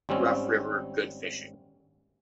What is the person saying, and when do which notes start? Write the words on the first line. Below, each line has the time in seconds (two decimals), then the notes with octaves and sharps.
Rough river, good fishing.
0.09 G#1 G3 C4 C#4